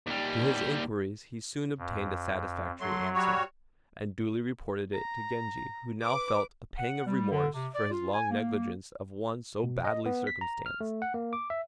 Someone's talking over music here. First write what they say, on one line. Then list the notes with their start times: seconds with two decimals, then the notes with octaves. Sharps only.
To his inquiries he soon obtained a satisfactory answer, and duly reported it to Genji, who now felt a pang of remorse for his long negligence of one so badly circumstanced.
0.07 D#2 G3
1.78 F2
2.80 F#3 A3 C6
3.14 G3 F#4 C#5
4.94 A#5
6.04 B4 D6
6.78 F#5
7.06 G3
7.31 D3
7.54 C3
7.74 D5
7.91 F4
8.13 G#5
8.30 A#3
9.64 B2
9.85 D#5
10.06 B3
10.27 B6
10.41 A#5
10.66 F6
10.81 A3
11.02 F#5
11.14 A#3
11.33 D6
11.50 E5